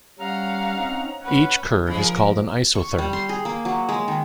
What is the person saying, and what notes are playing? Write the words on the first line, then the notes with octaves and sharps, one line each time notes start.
Each curve is called an isotherm.
G3 C#4 F5 F#5 A#5
C4 C#4 D#4
C#4 B4 F#5
C#3 F3 G#3
A#4
C#6
G3
C6
G#4
A#3
F#3
G#3
D#3